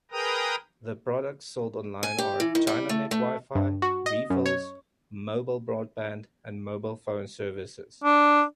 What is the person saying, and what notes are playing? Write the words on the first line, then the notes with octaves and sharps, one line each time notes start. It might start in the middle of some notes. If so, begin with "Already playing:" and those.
The products sold online are: ChinaNet Wi-Fi, Refills, Mobile Broadband and Mobile Phone services.
G#4 A#4 B4 G5 A#5 D#6
G#5
G4
E3
D#3
G3
A3
A3
G2
F#4
D#5
F#2
C#5
D4